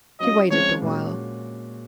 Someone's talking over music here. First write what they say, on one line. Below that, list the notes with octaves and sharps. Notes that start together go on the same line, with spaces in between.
She waited a while.
F#3 C#4 F4 D#5
C#3 F3 G#3 C4 C#5
A#2 G#3 C#4 F#4